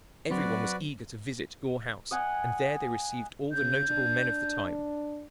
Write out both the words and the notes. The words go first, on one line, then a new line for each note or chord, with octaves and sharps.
Every one was eager to visit Gore House, and there they received all the notable men of the time.
F#3 C4 F#4 B4 D5
D#5 F#5 G#5
C#3 G6
D4